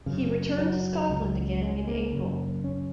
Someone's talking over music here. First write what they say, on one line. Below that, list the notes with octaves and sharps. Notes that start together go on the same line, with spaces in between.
He returned to Scotland again in April.
F#2 C#3
F#3
C#2 C#3
G#3
A#3
F#2 C#3
C#4